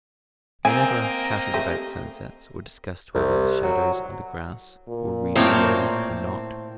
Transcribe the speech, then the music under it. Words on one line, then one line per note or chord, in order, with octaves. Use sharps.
They never chattered about sunsets, or discussed whether the shadows on the grass were really mauve or not.
A#3 C4 D#5 G#5
A3 G4
C2
F#3
A#2
A2 A#3 C4 C#5 D6